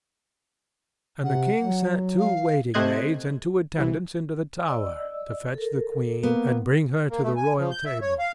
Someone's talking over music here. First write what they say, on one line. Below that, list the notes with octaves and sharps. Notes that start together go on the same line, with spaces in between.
And the king sent two waiting-maids and two attendants into the tower, to fetch the queen and bring her to the royal table.
C3 F#5
F#3
F5
C3 A3 C5 D#5 F#6 G#6
C2 E3
D5 D#5 E6
A4 A#4
A#3 B3
A#3
A3
G#5
F3
G6
E5
C#5
F5